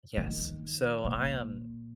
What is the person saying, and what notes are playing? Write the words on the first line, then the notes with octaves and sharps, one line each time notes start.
Yes. So I am
D#3
A#2